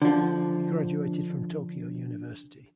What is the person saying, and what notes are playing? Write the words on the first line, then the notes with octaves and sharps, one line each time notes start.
He graduated from Tokyo University.
D3 F3